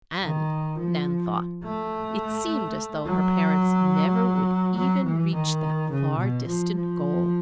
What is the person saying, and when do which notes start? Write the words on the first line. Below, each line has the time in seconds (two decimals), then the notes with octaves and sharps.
And, Nan thought, it seemed as though her parents never would even reach that far distant goal.
0.22 D#3
0.78 F3
1.63 A3
3.05 F#3
4.76 F#3
5.04 E3
5.33 D#3
5.90 C#3
6.17 B2
6.46 F3
6.75 F3